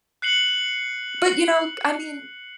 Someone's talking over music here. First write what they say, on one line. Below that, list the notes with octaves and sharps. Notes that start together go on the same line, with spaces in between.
But, you know, I mean
F#6 C7 C#7 F#7